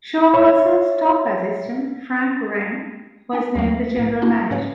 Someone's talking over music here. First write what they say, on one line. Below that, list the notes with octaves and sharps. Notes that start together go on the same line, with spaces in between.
Schuerholz's top assistant Frank Wren was named the general manager.
C#5 E5
D4 G5
D#2 F#3 A3
B1 A2
A#3 D4 E4 F#4
G#2 C#4 B4 C#5 F5